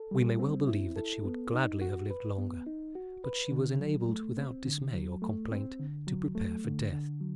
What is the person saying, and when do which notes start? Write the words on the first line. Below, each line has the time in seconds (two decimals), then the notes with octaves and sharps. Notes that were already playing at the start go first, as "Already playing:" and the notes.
We may well believe that she would gladly have lived longer; but she was enabled without dismay or complaint to prepare for death.
Already playing: A4
0.11 G3
0.39 C4
0.67 E4
0.96 A4
1.25 B3
1.54 D#4
1.81 F#4
2.10 B4
2.38 B3
2.67 D#4
2.95 F#4
3.24 B4
3.52 D3
3.80 F#3
4.09 A3
4.37 C4
4.66 D3
4.93 F#3
5.22 A3
5.51 C4
5.79 D3
6.07 F#3
6.35 A3
6.64 D3
6.92 D3
7.21 F#3